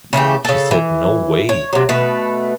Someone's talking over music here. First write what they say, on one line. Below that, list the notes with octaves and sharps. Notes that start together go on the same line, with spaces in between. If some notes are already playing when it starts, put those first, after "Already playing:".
She said No way!
C#3 E3 A3 G4
C#3 A4
E3
C#5
C3 F#3
B2 A3 B4